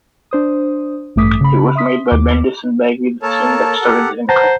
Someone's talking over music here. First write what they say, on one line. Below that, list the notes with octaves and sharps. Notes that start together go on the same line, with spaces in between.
It was made by Bendis and Bagley, the team that started the imprint.
D4 C5 D#6
A1 G2 A3 D6 D#6 B6
C#3 B5
E5 C6 D#6 B6
D#2 D6
A#3 A4 A#4 C#5 A5
G4 F#5
B4 C5 F#5 A5 A#5